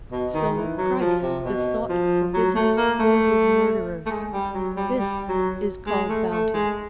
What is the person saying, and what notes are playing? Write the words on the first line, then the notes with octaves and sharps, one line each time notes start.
So Christ besought forgiveness for his murderers: this is called bounty.
B2
D#3
E3
F#3
F3
C3
B2
F3
F#3
A3
A#3
A3
A3
G#3
G3
F#3
G3
G3
F#3
G#3
A3
A3
G#3